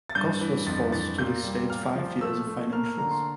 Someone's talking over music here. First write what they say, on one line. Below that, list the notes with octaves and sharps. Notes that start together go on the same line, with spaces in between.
Koss was forced to restate five years of financials.
A6
G2 G6
E3
F2 A6
E3 A6
A#2 G6
G3
A#2 F6
F3
A3 E6
A3
A#3 F6
F6
D3 A#5
C6